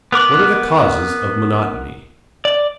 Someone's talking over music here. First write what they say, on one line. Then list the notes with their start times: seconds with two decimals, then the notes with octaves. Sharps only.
What are the causes of monotony?
0.12 B3 A#4 D6 F#6
2.45 D5